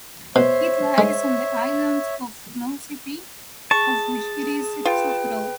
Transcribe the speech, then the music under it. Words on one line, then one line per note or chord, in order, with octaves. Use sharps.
It lies on the island of Nosy Be, of which it is the capital.
B2 C5 C#5 E5
G#3
G#4 A5 C#6
F4 B4 G5